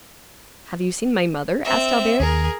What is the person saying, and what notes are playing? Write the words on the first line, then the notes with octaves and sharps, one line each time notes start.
"Have you seen my mother?" asked Albert.
C4 E5
D#2 G#4 A#4